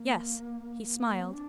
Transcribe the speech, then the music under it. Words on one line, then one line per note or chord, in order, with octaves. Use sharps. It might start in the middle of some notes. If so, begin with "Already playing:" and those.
Yes, he smiled.
Already playing: A#3
A#3
C4
D4